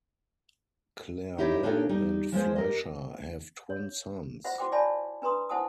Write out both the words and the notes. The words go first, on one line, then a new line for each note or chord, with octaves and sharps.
Claremont and Fleisher have twin sons.
D#4 E4 G4 C#5 D#5
D4 D#4 F4 G4 A4 C#5
G3 D#4
F3 G#3 G#4 C5
G4 A#4 D#5
C#5
F4 C5 E5 F#5
E4 F#4 C5 G5 D6
C#5 D5 E5 G#5 A5 B5
D4 B4 A#5 C6 D#6
E4 C5 F#5 G#5 A5 D#6